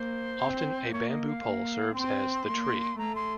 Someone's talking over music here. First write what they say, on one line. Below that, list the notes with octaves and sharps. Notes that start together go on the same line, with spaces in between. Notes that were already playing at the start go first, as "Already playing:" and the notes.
Often a bamboo pole serves as the "tree".
Already playing: A#3 C5
C4
A#3 C#5
D#5
F5
A#3
C4 C6
A#3
A3 A#5
C6